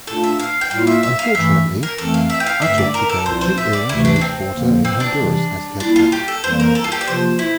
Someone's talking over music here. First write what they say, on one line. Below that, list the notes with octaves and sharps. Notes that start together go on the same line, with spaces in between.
Unfortunately, Athol became too ill to meet Porter in Honduras as he had planned.
A#2 A3 D4 F4 A4
E5
F5
G5
A2 G3 A#3 F4 F5
E5
E5
F5
G2 E3 A3 E5
A#4
F2 E3 A3 C4 A4
F5
E5
G5
F5
G2 D3 A3 C4 E5
D5
A#4
A4
C2 A#2 F3 C4 F4 C5
C5
E5
D5
D2 C3 E3 A3 E4
D4
D4
C4
F2 D3 F3 A#3
C4
D4
C3 E3 G3
A#2 G3 A#3 D4 E4
F4
G4
A4
F2 E3 G3 A#3 C5
A#4
A4
F4
G4
D5
C3 F3 A#3 F4 C5
E4